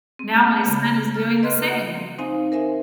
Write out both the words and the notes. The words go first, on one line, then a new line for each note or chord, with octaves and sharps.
now my son is doing the same,
C4
C#3 B5
A4 F6
B4 D#5 C6 F6 F#6
C4 D#4 C5 F5 G#5
A#4 C5 E5 G#5